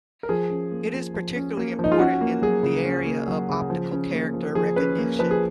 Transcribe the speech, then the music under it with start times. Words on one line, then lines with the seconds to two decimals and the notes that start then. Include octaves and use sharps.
It is particularly important in the area of optical character recognition.
0.23 A#4
0.29 F3 G#4
0.50 C#4
0.72 A#3
0.93 F3
1.14 F3
1.36 C#4
1.57 A#3
1.79 F3 D#4
1.92 F4
1.99 C#4 F#4
2.21 A#3
2.42 F#3 G#4
2.63 C#3
2.85 C#4
3.06 A#3
3.28 F#3
3.49 C#3
3.70 F3
3.92 C#4
4.13 A#3
4.34 F3
4.55 F3 G#4
4.76 C#4 B4
4.98 A#3
5.19 F3 B4
5.31 G#4